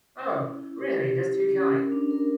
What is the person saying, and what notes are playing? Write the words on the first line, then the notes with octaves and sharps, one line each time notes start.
Oh! Really, that’s too kind.
C#4
E4
E4
G4
G4
E4
G4
C#4
A#4
D4
A#4